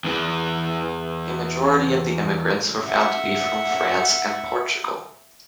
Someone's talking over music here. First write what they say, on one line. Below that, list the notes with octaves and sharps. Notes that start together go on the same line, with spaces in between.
A majority of the immigrants were found to be from France and Portugal.
E2 E3
E5 F#5